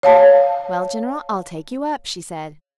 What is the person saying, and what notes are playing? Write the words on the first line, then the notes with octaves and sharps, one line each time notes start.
"Well, general, I'll take you up," she said.
C#5 F5 A5